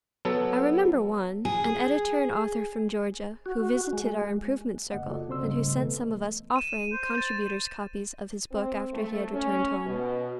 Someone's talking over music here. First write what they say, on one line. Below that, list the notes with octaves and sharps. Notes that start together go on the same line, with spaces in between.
I remember one, an editor and author from Georgia, who visited our Improvement Circle, and who sent some of us "Offering" contributors copies of his book after he had returned home.
F#3 B3 A4
G#4
F#4
G#3
F#2 C#3 A#3 D#5 F#5
F4 F#4 A4 D5
C2 C#3 C4 C5 C6 E6
E2 G#2 C#3 G3 A3 D#5
B2 E3 A3 B3 A4 B4
D#7 E7
C5
A6 D#7
C4
A3
C#4
B2